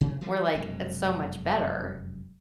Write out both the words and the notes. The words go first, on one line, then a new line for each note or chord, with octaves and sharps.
we're like, "It's so much better."
C3
E3 F3 G3 A3
F1 F#2 B2 G#3